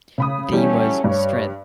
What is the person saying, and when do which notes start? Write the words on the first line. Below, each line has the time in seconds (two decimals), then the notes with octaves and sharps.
The theme was "strength".
0.18 C#3 B5 D#6
0.52 E3 F#3 G3 A3 C#4 G4
1.04 G2 C#5